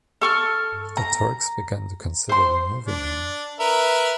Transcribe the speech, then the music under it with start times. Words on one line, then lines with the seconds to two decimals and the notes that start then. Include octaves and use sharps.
The Turks began to consider removing him.
0.21 A4 C#6 F6
0.97 A#5
2.29 C5 C6
2.87 D4
3.60 A#4 B4 E5